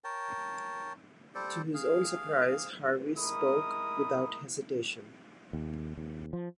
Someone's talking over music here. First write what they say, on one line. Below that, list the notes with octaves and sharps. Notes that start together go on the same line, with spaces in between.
To his own surprise Harvey spoke without hesitation.
A#4 C#5 G5 A5
G3 A4 C5 D5
G#4 F5
G#3 E4 A#4 B5 D#6
D#2
D#2
F3